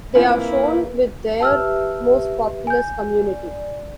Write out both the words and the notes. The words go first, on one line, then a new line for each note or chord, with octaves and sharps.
They are shown with their most populous community.
A#3 C4 E4 F4 B4 G#5
G4 B4 E5 A5 E6 F6
G#5 G6
D5